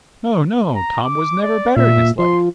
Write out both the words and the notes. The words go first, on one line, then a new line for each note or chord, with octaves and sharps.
"No, no, Tom was never better in his life."
A#5
D6
D5
A#2 E5
F3 C6